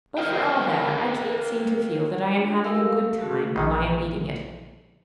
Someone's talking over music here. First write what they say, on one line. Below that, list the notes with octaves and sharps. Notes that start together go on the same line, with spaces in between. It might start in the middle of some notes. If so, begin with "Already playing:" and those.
But for all that I can't seem to feel that I am having a good time while I am eating it.
A#4 C5 D#5 F5 G5
D4 F4
G4 A4 A#4 F5 E6
F5
A3 C#4 F#4 G#4
A#1